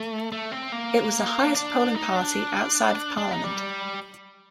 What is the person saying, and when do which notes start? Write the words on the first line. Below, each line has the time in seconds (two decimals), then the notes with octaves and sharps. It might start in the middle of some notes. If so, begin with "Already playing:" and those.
It was the highest polling party outside of parliament.
Already playing: A3
0.32 A3
0.52 C4
0.72 A#3
1.55 D4
1.95 D#4
2.16 D4
3.17 D4
3.31 D#4
3.44 G3